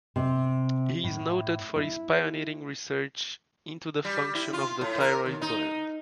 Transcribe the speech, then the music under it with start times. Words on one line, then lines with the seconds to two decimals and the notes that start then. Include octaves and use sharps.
He is noted for his pioneering research into the function of the thyroid gland.
0.16 C3
1.04 A2
1.76 E4
4.05 G3
4.35 E4
4.53 F4
4.81 A2
5.00 A#4
5.26 D#2
5.42 D#4